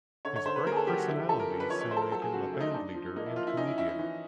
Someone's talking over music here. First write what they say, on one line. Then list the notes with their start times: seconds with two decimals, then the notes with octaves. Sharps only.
His bright personality soon made him a bandleader and comedian.
0.25 D3 C#5
0.36 C#5
0.46 D3 C5
0.56 B4
0.66 A#3 A#4
0.72 G#4
0.77 A4
0.87 F#3 G4
0.98 F#4
1.08 D3 E4
1.18 G4
1.29 F3 A4
1.40 A#4
1.50 C#4
1.60 B4
1.70 F3 C#5
1.81 C#5
1.91 A3 C5
1.97 A4
2.02 A#4
2.11 F#3 A4
2.22 G#4
2.33 C#3 F#4
2.53 A3
2.60 D#4
2.74 D4 D#4
2.95 F3
3.16 A#3 D#4
3.26 E4
3.36 F3 F4
3.47 E4
3.57 C#4 D#4
3.68 E4
3.78 C#4 E4
3.88 E4
3.99 E3